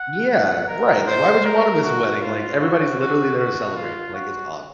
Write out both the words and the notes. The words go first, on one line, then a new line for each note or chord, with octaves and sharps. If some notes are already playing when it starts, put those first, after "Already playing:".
Yeah, right, like, why would you want to miss a wedding? Like, everybody's literally there to celebrate, like, it's awesome.
Already playing: F#5
F#5
A#4
C5
A#4
F#4
F4
F#4
F#4
F#4
F4
F#4